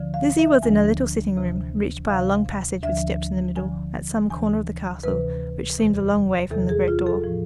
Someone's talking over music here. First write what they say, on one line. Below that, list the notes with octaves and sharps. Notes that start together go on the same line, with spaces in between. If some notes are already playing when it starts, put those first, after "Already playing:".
Lizzie was in a little sitting-room, reached by a long passage with steps in the middle, at some corner of the castle which seemed a long way from the great door.
Already playing: D2 D3 F3
F5
E5
D2 D3 F3 G#5
D2 C3 E3
D2 C3 E3 F5
D2 D3 F3 E5
D2 D3 F3 G#5
D2 C3 E3 G#5
D2 C3 E3 B4
E2 C3 E3
E2 C3 E3 A4
G#4
F4
A4
A2 F3